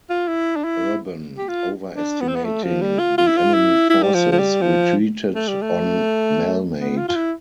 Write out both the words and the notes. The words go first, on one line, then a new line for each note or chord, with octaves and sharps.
Urban, overestimating the enemy forces, retreated on Malnate.
F4
E4
D4
E4
G4
F4
D4
B3
C4
B3
A3
F3
G3
F4
F4
E4
F4
E4
E4
G3
F3
F3
G3
F3
A3
G3
A3
B3
F4
F4
E4